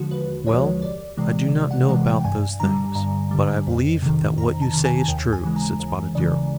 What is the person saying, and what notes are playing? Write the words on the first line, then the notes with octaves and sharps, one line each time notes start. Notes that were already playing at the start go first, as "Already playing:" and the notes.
"Well, I do not know about those things, but I believe that what you say is true," said Spotted Deer.
Already playing: D#2 D3 F3 G#3 F#4
D#2 B4
D3 F3 G#3 C#5
C2 D5
C3 E3 G#3
C2
F#5
C3 E3 G#3 F#5
G5
G2 G#5
D3 G3 A#5
G2 A#5
D3 G3
F2
C3 D#3
F2 A#5
A5
C3 D#3
G#5
D#2 G5
G#5
C#3 E3 G#3
A#5
D#2
C#3 E3 G#3 D5